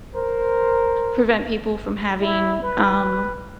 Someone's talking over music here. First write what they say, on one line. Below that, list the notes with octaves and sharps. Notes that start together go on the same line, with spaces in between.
prevent people from having, um,
A#4 C5
E4
B4